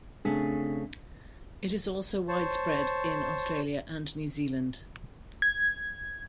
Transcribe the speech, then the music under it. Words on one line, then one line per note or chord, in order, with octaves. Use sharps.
It is also widespread in Australia and New Zealand.
C#3 A3 C4 D4 G#4 B6
C5 C#5 A5
G#6